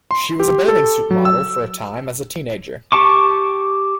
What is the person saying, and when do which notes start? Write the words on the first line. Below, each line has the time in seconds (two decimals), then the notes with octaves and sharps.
She was a bathing suit model for a time as a teenager.
0.11 C6
0.40 G4
0.68 A4
1.11 F#3
1.25 E6
2.92 G4 A5 C#6 D6